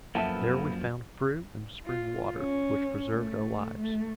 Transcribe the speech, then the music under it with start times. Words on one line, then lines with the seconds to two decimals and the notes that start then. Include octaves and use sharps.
There we found fruit and spring water, which preserved our lives.
0.15 F#2 F3 A#3 B3 A4 E5
1.86 F4
2.38 C#4
3.12 A3
3.81 A3